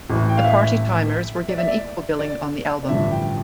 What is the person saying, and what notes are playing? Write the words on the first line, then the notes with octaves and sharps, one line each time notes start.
The Party Timers were given equal billing on the album.
A1 A2 E3
G5
F5
E5
D5
E5
D5
D5
D5
A1 G2 D3 F3 E5
G5